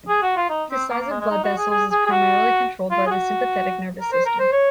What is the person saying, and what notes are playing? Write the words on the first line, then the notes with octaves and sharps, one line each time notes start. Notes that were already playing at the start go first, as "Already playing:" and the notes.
The size of blood vessels is primarily controlled by the sympathetic nervous system.
G#4
F#4
F4
D#4
C4
A#3
A#3
G#3
G#3
D#4
F#4
G#4
G#4
G#4
G#4
F#4
F4
G#4
F#4
A#4
C5
A#4
C5
C#5